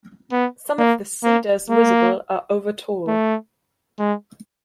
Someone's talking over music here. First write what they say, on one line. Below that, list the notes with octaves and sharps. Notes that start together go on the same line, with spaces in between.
Some of the cedars visible are over tall.
B3
A#3
A#3
A#3
A3
G#3